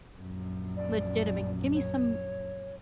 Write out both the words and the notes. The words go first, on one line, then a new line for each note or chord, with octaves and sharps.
legitimate give me some
A#1 F#2
D5
C#5